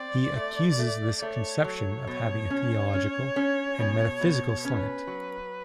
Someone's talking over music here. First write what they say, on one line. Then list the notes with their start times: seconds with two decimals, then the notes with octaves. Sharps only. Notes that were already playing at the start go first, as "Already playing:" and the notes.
He accuses this conception of having a theological and metaphysical slant.
Already playing: C4 D5
0.36 A3
0.79 A3
1.21 A3 C#5
1.64 F#3
2.07 B2 C#5
2.50 C#4
2.94 C#4
3.36 C#4
3.79 B2
4.21 B2
4.65 C#4 B4
5.07 F#3